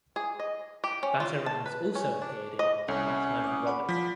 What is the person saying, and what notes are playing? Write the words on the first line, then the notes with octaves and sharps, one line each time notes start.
Batarangs also appeared in "Batman and Robin".
G#4
D#5
G4
C#4
F4
A5
B4
C#4
D4
D#5
C2 C#4 A4 C#5 E5
D6 D#6
F#5 B5 D6
F3 B6